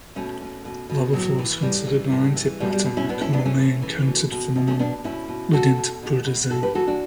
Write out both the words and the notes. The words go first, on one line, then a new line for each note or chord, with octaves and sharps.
Lava flow is considered an anti-pattern, a commonly encountered phenomenon leading to poor design.
B2 A3 C#4
B2
B2
B2
A2 F#3
E3
A2 G3
E3
A2
E3
B2 G3
G3
B2
C#4 E4
A2 B3 D4
C#4 E4
E3 B3 D4
A3 C#4
A2
E3
B2
B2
B2
A3 C#4
B2 B3 D4
B2 C#4 E4
B2
B2 F#4 A4
B2
B2
B2
A2 F#4 A4
G4 B4
E3 F#4 A4
D4 F#4